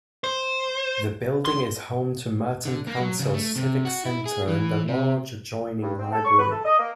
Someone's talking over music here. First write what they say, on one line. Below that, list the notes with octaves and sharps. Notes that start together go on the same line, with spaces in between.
The building is home to Merton Council's Civic Centre and a large adjoining library.
C5
C6
D3
A#3
F#3
C#3
A3
C3
F#4
E4
G#4
E3
C3
G2
C4
A4
C#6
B4
A4
D#5
A#3